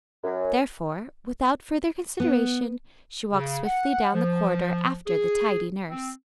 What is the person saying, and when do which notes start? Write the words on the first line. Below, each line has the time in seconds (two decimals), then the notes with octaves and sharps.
Therefore, without further consideration, she walked swiftly down the corridor after the tidy nurse.
0.24 F#2
2.20 B3
3.33 C#3
3.65 F#5
4.13 F3
5.07 G#4
5.89 C4